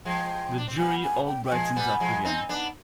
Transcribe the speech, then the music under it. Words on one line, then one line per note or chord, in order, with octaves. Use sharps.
The jury all brightened up again.
F3 G#3 G5
D4
C4
G3 B3 G#5
G#5
G5
G5
F3 G#3 G#5
G3 B3
F3 G#3
C4 D#4
B3 D4